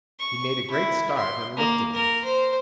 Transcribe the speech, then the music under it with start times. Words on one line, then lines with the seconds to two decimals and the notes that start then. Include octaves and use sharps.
He made a great start and looked at me.
0.19 C#6
0.71 E4
1.18 C6
1.57 A#3
1.94 A#4
2.25 C5